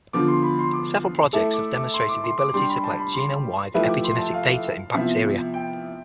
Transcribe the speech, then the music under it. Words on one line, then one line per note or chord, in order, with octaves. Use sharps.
Several projects have demonstrated the ability to collect genome-wide epigenetic data in bacteria.
D3 F3 B3 D6
C6
B5
C6
D6
A3 E4 A4 D6
D6
D6
C6
D6
C6
D6
G3 D4 G4 C6
B5
A5
B5
C6
F3 A3 E4 G4 B4
D6
C6
A5
F5
C3 F3 B3 E4 E5
G5